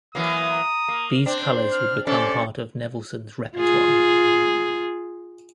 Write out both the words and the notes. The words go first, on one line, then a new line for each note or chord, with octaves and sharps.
These colors would become part of Nevelson's repertoire.
E3 F#3 A#3 D#6
A#5
A#3
C4 D4 C5
F6
C3 C#4 A4 C5 D5
F4 G#4